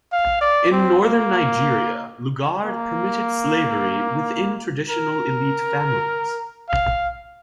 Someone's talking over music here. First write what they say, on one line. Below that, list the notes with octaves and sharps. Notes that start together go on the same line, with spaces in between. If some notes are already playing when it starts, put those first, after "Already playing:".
In Northern Nigeria, Lugard permitted slavery within traditional elite families.
F5
D5
C4
A#3
A#3
A#4
F5